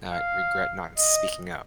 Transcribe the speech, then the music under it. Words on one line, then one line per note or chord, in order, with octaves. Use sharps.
not regret not speaking up.
F5
D#5